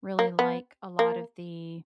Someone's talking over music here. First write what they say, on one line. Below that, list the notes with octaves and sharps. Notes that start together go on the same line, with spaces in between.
really like a lot of the,
A#3
B3
A#3